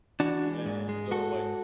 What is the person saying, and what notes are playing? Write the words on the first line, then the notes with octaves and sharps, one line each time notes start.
And so, like,
E3 D4 F#4
G#3
G#2
G#3
G#2 F#4 A4
G#2